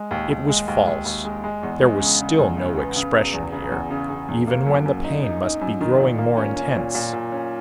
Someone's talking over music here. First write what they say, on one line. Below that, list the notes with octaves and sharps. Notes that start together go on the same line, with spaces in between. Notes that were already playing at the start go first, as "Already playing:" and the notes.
It was false; there was still no expression here, even when the pain must be growing more intense.
Already playing: G#3
D#2
D#2
G#3
D#2
D#2
D#2
G#3
G#3
E2
G#3
C#3
C#3
E2
C#3
B3
C#3
E1
E2
C#3
E2
C#3
C#3
E2
A#3
F#2
F#2
D#4
D#4
D#4
F#2
D#3
A#2
A#3
C#4
C#4
A#2
A#2
A#2
C#4